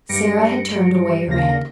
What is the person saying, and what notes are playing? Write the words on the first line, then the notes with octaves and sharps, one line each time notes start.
Sara had turned away her head.
G2 G3 A#6 C#7 D7
D#2 C#3 A#3 F5 A#6